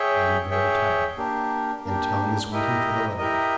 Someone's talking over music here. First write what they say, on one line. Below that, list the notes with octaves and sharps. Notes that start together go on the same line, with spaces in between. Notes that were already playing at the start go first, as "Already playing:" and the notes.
I am very tired, and Tommy is waiting for the letter.
Already playing: G#4 C#5 E5 G5
G#4 C#5 E5 G5
A#3 D4 G4
A#3 D4 G4
E4 G4 A#4 D#5
E4 G4 A#4 D#5